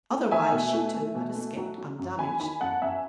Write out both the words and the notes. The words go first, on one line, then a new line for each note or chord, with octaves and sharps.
Otherwise she, too, had escaped undamaged.
A3
A3 E5 G#5
B2
A3
A3
B2
A3
F#3
F#3
F#2
F#3 G#5 B5
D#3 G#5 B5
F#2 F#5 A5
F#2 E5 G#5